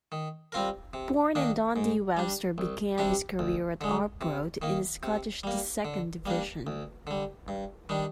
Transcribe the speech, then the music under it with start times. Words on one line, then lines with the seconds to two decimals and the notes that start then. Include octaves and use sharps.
Born in Dundee, Webster began his career at Arbroath in the Scottish Second Division.
0.12 D#3
0.52 G3 C4 F4 A#4
0.93 C3
1.35 D#3 A#3 D4
1.76 G#2
2.17 G3 D4
2.58 C2
2.98 C3 G3 D4 G4
3.39 D2
3.81 D3 G#3
4.21 C3
4.62 D#3 A#3
5.03 C3
5.43 G3 A#3
5.85 D3
6.26 G3 A#3 D4
6.67 D2
7.07 D3 G3
7.48 G2
7.89 D#3 G3 D4